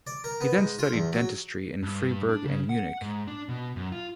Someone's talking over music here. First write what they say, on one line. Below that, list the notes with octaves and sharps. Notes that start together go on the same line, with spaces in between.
He then studied dentistry in Freiburg and Munich.
D5
A#4
B3
G#2
F4
E2
F#3
G2
D4
C#3
F#5
G#2
D4
B2
F#2
F4